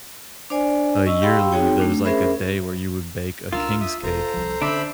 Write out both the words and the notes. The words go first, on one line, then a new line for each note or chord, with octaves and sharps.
uh, yearly, there's, like, a day where you would bake a king's cake,
D4 C5 D5 G#5
D#5 C#6 E6
G4 F5 G5 B5 C6 E6
C4 D#4 F#4 G#4 C#5 G5
A3 D4
C#4 G#4 A#4 C5 E5 B5
C#2 F3 D4 F4 A#4 E6 F6
E5 D#6
E1 A4 C5 A#5
C2 F3
D3 C#4 D4 C5 E5 B5